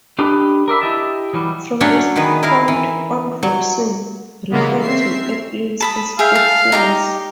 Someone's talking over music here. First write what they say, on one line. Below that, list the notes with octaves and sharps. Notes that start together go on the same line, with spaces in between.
From this point on Robinson referred to airplanes as fruit flies.
D4 G4 A4 B4 D#5
A#4 D5 E5 B5
E4 G4 D#5 E5 A5
E3 F#3 G3
F#3 A3 C#4 D4 C#5
D#3 B3 G#4 B4
E4 A#4 F5
E3
F#3
C#3 E3 G#3 A#3 B3
C4 C#4 E5 C7
A5 B5 D#6
G#4 E5 F5 G5
A5
D#4 G4 A#5